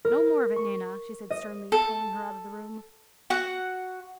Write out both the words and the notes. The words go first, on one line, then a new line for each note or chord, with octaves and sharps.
"No more of it, Nana," she said sternly, pulling her out of the room.
A#4
C#6
D#5
A4
F#4 F#5